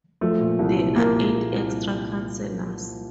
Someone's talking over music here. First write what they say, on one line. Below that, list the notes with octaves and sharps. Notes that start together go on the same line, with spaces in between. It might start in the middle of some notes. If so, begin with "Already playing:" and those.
There are eight extra councillors.
F3 A3
A#2
C2
C2
F3 A#3
A#2
C2
C2